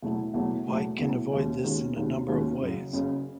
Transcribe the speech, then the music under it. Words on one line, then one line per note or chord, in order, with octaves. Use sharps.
White can avoid this in a number of ways.
E2 B2 F#3 A3 E4
E2 B2 F#3 A3 E4
E2 B2 F#3 A3 E4
E2 B2 F#3 A3 E4
D#2 D#3 G#3 C#4 F#4
D#2 D#3 G#3 C#4 F#4
D#2 D#3 G#3 C#4 F#4
D#2 D#3 G#3 C#4 F#4
F#1 F#2 C#3
F#1 F#2 C#3